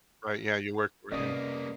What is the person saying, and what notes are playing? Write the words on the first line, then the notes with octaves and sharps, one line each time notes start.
Right, yeah, you work for him.
F2 C3 G3 A#3 B3 C#4 D5 D#5